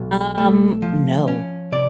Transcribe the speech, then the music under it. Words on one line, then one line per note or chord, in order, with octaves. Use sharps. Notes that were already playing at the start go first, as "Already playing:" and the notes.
Um, no.
Already playing: B1 F#3
A3
F3
C#4
C3 D5